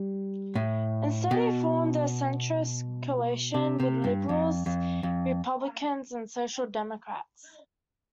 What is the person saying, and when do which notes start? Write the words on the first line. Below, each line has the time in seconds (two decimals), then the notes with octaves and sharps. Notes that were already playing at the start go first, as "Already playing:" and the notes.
Instead, he formed a "centrist" coalition with Liberals, Republicans and Social Democrats.
Already playing: G3
0.55 A2
1.31 B2
3.54 C3
3.80 C3
4.04 G2
4.29 F2
4.66 F2
5.03 F2